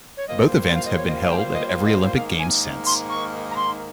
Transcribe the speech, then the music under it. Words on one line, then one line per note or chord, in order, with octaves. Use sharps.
Both events have been held at every Olympic Games since.
C#5
G3 A#3 F4 C5 D#5
F5
D#5
C#5
D#5
F5
G5
F5
D#5
D#5
G#2 D#3 A#3 D#4 A#4 F5
G#5
C6
C#6
A#5
C6